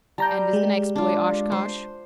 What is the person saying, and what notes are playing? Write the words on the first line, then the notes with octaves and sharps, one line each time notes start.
"And is the next boy Oshkosh?"
G3 A5 A#5 G6
G#3 G4
D4 F4
C5